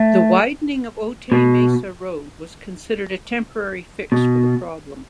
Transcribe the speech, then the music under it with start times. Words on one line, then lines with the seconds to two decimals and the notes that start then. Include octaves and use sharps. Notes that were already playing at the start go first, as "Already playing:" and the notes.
The widening of Otay Mesa Road was considered a temporary fix for the problem.
Already playing: A3
1.32 B2
4.12 B2